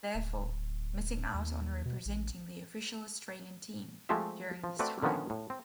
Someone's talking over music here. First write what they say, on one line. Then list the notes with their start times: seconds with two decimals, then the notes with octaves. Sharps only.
Therefore, missing out on representing the official Australian team during this time.
0.15 D1
1.34 D#2
1.86 B2
2.06 A1
4.09 F3 G#3 A3 C4 G4 E5
4.64 F3
4.79 A3 C4 F#4 B4 D5
5.02 D3 D#3 F3 B3 C#4
5.30 A2
5.50 C4